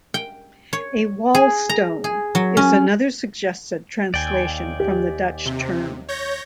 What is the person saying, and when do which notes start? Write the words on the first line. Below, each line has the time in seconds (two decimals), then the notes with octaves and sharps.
A "wall stone" is another suggested translation from the Dutch term.
0.14 G5
0.73 C#5
1.35 G#4
1.69 A#5
2.04 G#4
2.35 F#3
2.57 C#4
4.14 D#2 D5 G5 G#5
4.80 G4
5.46 C3
6.09 C#5 G6 A#6